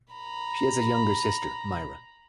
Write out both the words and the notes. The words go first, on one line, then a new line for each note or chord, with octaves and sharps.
She has a younger sister, Myra.
A#5 B5